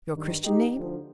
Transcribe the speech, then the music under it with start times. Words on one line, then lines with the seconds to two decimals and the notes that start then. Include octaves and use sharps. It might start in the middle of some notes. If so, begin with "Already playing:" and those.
"Your Christian name?"
0.14 G2 D#3
0.45 D#4 G4
0.75 D2 D3 F3